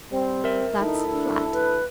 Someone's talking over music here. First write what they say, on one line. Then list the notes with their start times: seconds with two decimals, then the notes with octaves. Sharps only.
That's flat.
0.11 G3 C4
0.44 A#4 E5
0.79 D2 D#4 E4 A4
1.12 D4
1.52 B4